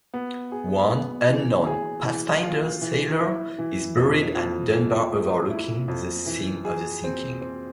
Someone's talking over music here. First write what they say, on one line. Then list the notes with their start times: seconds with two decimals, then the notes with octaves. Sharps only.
One unknown "Pathfinder" sailor is buried at Dunbar overlooking the scene of the sinking.
0.14 B3
0.52 G#4
0.90 B3
1.28 E3
1.67 G#4
2.05 E3
2.43 F4
2.82 E3
3.20 E4
3.59 E3
3.97 F2
4.36 F2
4.73 F2
5.12 A3
5.50 E4
5.88 F2
6.26 E3
6.65 G#4
7.04 C4
7.42 C4